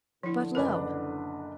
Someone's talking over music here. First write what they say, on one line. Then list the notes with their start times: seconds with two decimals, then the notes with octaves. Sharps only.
But, lo!
0.23 A2 D3 F3 E4
0.55 F#1 D4 A#4 B4